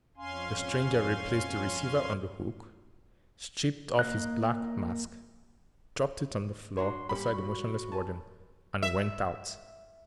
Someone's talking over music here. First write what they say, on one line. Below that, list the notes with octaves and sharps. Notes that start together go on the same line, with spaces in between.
The stranger replaced the receiver on the hook, stripped off his black mask, dropped it on the floor beside the motionless warden, and went out.
F2 C#4 F5 G#5 C6
A#3 D#5 F#6
D4 F#4 C#5 C6
G3 A#3 C#4 G4 B5
F#4
G#5 A5
E5